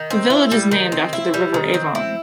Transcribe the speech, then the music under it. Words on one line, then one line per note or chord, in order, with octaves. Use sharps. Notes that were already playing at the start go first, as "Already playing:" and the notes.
The village is named after the River Avon.
Already playing: D#3
C4
E4
G3
D#3
C4
E4
G3
D#3
C4
E4